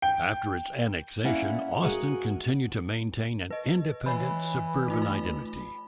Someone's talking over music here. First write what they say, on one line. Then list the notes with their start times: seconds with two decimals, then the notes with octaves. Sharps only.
After its annexation, Austin continued to maintain an independent, suburban identity.
0.02 G5
1.24 A#3 C#4 E4 D5 F#5
1.83 F#4 G#4 A#4 D#5
3.50 B4 D#5
4.06 E3 C#5 B5
4.88 A3 D#4 F4
5.02 B5